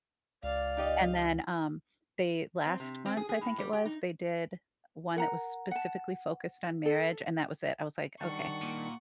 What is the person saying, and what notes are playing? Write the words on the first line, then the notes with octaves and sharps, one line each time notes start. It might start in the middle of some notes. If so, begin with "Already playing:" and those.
And then, um, they last month I think it was, they did one that was specifically focused on marriage, and that was it, I was like, "Okay,
C#2 D5 F5
D#4 G4 D#5
C4
C3
C4
G#4
G#4
A2
G3
G4
D#4
A#4 F#5 A#5
F#5 A5
A4
D#3 G3 D4 F#5 C#6
A#2